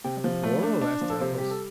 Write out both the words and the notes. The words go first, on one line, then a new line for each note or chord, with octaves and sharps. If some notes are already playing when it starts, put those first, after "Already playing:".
"A quarrel?" asked Athos.
C3 G5
F3
A3
D4
D4
F3
A4
C3 C5
G3 G4
A4